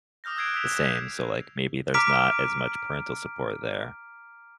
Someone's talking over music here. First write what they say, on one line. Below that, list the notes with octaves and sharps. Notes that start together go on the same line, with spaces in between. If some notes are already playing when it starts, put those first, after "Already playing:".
the same, so, like, maybe there's not as much parental support there
D6 D#6 F6 G6 A#6
D#6 E6 F#6 G#6 C7 D7
E6 F#6 G#6 B6 E7 F7
E6 G#6 A#6 E7
G6
A#5 D6 F6 B6 D7